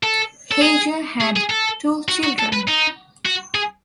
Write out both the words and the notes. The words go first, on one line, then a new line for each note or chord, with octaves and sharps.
Hager had two children.
A4
A4
G#4
G#4
G#4
A4
F#4
F#4
A4
B4
D#4
F#4
G#4